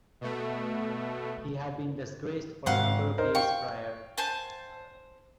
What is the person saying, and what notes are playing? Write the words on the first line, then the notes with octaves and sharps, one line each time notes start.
He had been disgraced for a number of years prior.
B2 A3
G#1 F5 F#5 C6
D#4 A#4 C5
F5 G5 C#6
C5 G#5 A5